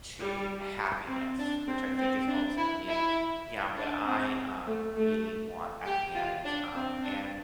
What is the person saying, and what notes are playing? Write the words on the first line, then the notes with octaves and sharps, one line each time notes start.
to happiness, which I think is ultimately yeah, what I, um, really want at the end. Um, and
G3
C4
D4
C4
C4
D4
E4
E4
D4
C4
A3
A3
G4
F4
D4
C4
D4